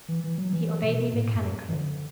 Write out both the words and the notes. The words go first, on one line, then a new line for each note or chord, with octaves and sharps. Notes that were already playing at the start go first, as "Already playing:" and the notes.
He obeyed me mechanically.
E3
E3
F#3
E3
B2
A2
F#2
E3
D3